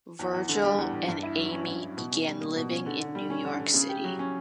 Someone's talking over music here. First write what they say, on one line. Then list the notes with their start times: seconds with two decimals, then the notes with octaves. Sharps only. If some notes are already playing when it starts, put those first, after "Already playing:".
Virgil and Amy begin living in New York City.
0.19 E2
0.34 E2
0.49 D3
0.64 G3
0.78 E2
0.93 E2
1.08 G2
1.23 E4
1.38 F#3
1.53 C#4
1.67 G2
1.82 E4
1.97 B2
2.12 C#4
2.27 G3
2.41 A#3
2.56 B2
2.71 C#4
2.86 D3
3.00 D3
3.15 G3
3.30 C#4
3.45 D3
3.59 D3
3.74 C#3
3.89 G4
4.04 F#3
4.19 C#4